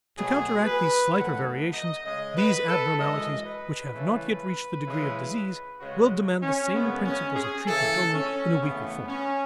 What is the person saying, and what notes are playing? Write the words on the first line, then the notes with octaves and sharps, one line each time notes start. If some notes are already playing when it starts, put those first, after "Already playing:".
To counteract these slighter variations, these abnormalities which have not yet reached the degree of disease, will demand the same principles of treatment, only in a weaker form.
B2 F#3 A3 G#4
B4
F#2 D#3 F#3 A3 F#5
D#5
C#3 G#3 D#5
B4
A4
F#2 E3 G#3 D#5
B4
C#3 E3 A3
C#3 E3 G#3
C#3 G#3 F#4
C#4
F#2 C#3 G#3 B3
C#4
G#4
C#3 E3 A3 A4
C#4
C#3 E3 A3 B3
C#4